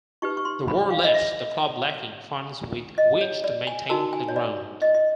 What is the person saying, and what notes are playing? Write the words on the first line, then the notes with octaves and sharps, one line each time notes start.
The War left the club lacking funds with which to maintain the ground.
D#4 G4 B4 C#6
C#6
C6
B5
F5
D#5
E5
D#5
C#5
D5
G#5
D#4 F#4 A#4 A5
G#5
C#5
D5
D#5
D#5